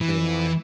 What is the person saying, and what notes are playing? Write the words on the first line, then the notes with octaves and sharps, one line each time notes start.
They are.
E3